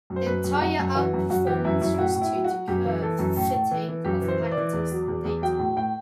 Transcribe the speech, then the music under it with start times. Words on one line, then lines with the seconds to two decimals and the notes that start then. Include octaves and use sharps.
The entire outperformance was due to curve fitting of backtested data.
0.10 F#2
0.16 C5
0.26 F#2 B4
0.44 F#2
0.53 G4
0.61 F#2 F#4
0.79 F#2
0.95 E3 F#4
1.13 F#2
1.30 F#2 F#4
1.47 E3 G4
1.64 F#2 E4
1.81 F#2 E4
1.94 E4
1.98 A2 F#4
2.15 A2
2.21 E4
2.33 F#3
2.44 F#4
2.51 F#3
2.68 F#2 G4
2.85 E3
3.01 E3 A4
3.19 F#2
3.36 A2
3.53 A2
3.71 E3
3.88 E3
4.04 F#2 G4
4.22 E3
4.28 C5
4.39 E3
4.51 D5
4.57 E3
4.73 E2
4.92 F#3
5.08 E2
5.25 E2
5.42 F#3 G5
5.59 A2
5.76 A2 G5